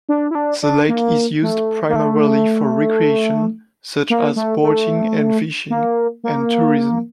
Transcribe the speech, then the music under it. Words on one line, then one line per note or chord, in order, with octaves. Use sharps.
The lake is used primarily for recreation, such as boating and fishing, and tourism.
D4
E4
D4
D4
A#3
A3
A#3
A3
A#3
A3
A3
A#3
A#3